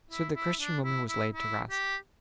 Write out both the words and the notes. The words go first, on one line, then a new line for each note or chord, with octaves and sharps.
So the Christian woman was laid to rest.
E4
E4
D4
E4
E4
E4
G4